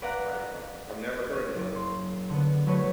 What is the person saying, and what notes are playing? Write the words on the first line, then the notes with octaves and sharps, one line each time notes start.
Python. I've never heard of that.
B4 D5 F5 F#5 A#5 F#6
C#4
F#1
C6
D3 B3
F#3 A3 B4 C#5